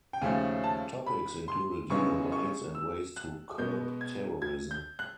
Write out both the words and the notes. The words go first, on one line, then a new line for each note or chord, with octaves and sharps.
Topics included human rights and ways to curb terrorism.
G5
D#2 C#3 F3 A3 C#4 G#5
A5
B5
C6
F#2 C#3 E3 G#3 B3 C#6
C#6
E6
F#6
B2 G#3 B3 G6
G#6
G#6
G6
F#6